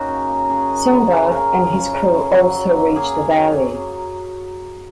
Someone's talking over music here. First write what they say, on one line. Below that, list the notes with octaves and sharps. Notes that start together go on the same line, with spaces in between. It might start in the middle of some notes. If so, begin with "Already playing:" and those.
Sinbad and his crew also reach the valley.
Already playing: A#3 C#4 D#4 F#4
C#3
A#3
C#3 G#4
A#3
C#3
C#3
C#3 A#4
F3
C#3
C#3
C#3
F#3
F#3
A#3
A#3 G#4
C#3
F#3
F#3